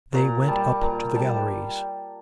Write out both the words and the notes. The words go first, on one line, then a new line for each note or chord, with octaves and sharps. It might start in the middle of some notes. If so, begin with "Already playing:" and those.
They went up to the galleries.
A#2 A#5
G3 A5
A#2 A#5
G3 A5